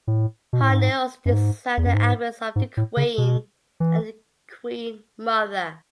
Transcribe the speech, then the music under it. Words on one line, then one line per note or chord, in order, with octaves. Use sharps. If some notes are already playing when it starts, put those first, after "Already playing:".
Hartnell also designed the outfits of The Queen and The Queen Mother.
A2
B2
A2
G#2
F#2
G#2
E2
F#2
G#2
G#2
A2
C#3
B2
E3